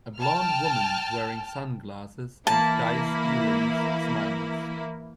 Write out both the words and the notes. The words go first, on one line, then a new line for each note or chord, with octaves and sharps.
A blond woman wearing sunglasses and dice earrings smiles.
G5 A5 F6
E3 A#3 E4 A5